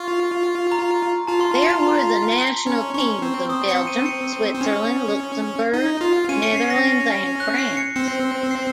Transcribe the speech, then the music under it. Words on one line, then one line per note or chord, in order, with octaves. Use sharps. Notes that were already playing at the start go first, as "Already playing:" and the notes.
There were the national teams of Belgium, Switzerland, Luxembourg, Netherlands, and France.
Already playing: F4 C#6
A#5
F4 A5
C6
A5
A#5
C6
C#4
C#4 C#6
C4
C4 D#6
C#7
D#7
C#7
C4
C#4
D#4
F4
C#4 D#7
C#7
C7
A#6
F#6
C7
C#7
C4 C#7
C7